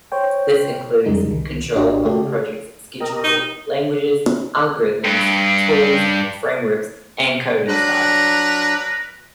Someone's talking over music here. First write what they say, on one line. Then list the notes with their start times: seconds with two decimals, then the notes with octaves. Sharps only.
This includes control of the project's schedule, languages, algorithms, tools, frameworks and coding style.
0.12 C5 C#5 G5
1.06 F2 C#3 G3 G#3 D#4
1.29 C2 D#3
1.75 G#1 D4 F#4 G4 D#5
2.05 C#3 A3 F#4 G4 A4
3.00 G4 A#4 D#5
3.24 D#4
5.04 G2
7.68 F#3 D4 A#4 B4 A#5 F#6